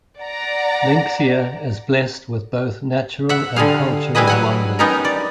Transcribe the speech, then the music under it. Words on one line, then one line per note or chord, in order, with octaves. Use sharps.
Linxia is blessed with both natural and cultural wonders.
D5 F#5 A#5
E5 F#5
D3 G3 G#4 F5
G3 E4 G#4 B4 D#5
F#3 F#5 G#5
B3 C#4 D#4 G4 A#4
D5